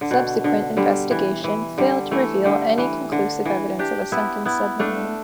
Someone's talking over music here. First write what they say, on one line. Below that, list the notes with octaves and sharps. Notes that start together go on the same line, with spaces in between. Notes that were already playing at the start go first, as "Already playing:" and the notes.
Subsequent investigation failed to reveal any conclusive evidence of a sunken submarine.
D3
B2
D3
D3 G3
E3
E3
D3 G3
E3 A3
D3 G3
E3
D3
E3
D4 G4
B3 E4
B3 E4
A3 D4